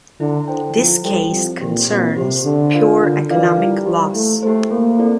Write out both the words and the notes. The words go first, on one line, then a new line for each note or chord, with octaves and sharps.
This case concerns pure economic loss.
D3 E4
A4 C5 G5
F3 E4
G3 A4 C5 G5
F3 C4
A#2 G4 C5
A#2 C4
C3 G4 C5
D3 D4
F4 A#4 D5 F5
D3 D4
E3 F4 A#4 D5 F5
G3 E4
G4 C5
A3 E4
A3 G4 C5
A3 A#3
C4 E4 A4 D5